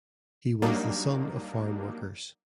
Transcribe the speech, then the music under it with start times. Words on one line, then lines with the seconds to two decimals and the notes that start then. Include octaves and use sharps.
He was the son of farm workers.
0.62 F#3 G3 A#3 D4 D#4